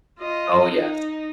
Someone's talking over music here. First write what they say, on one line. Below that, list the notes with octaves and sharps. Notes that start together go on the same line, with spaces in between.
Oh, yes.
F4 D#5
D#4